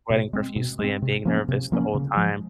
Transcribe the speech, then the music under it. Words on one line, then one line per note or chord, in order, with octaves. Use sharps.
sweating profusely and being nervous the whole time,
B2
G#3 C4
B2
G#3
C4
C3
F3 A#3 C#4
C3
F3 A#3 C#4
C#3
F3 G#3